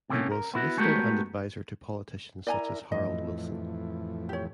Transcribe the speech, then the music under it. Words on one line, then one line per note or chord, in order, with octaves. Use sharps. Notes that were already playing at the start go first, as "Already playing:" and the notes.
He was solicitor and advisor to politicians such as Harold Wilson.
A2 C3 A3 A#3 C#4
A#4
B3 E4 F#4
G#3 A3 B3 F#4 G4 A#4
E4 A#4 D5 G#5 A#5
F2 A2 E3 D#5
G4 C#5